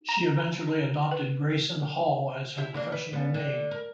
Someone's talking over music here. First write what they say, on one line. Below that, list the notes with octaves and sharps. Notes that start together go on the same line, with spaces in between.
She eventually adopted Grayson Hall as her professional name.
A#5
B4
E4 G4 E5
C#3 A#3 D4
B4
G3 B3
D3
A#4